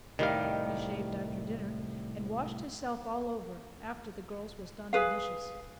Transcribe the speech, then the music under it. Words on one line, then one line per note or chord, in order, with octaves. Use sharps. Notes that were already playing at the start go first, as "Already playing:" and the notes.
He shaved after dinner, and washed hisself all over after the girls was done the dishes.
C2 A2 D#3 G3 G4 D#5 F5
G#4 B4 F5